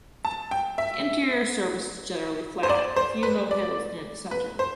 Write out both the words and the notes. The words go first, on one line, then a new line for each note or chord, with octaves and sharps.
The interior surface is generally flat, a few low hills near the center.
A5
G5
E5
C5
D5
C5
B4
D5
B4
C5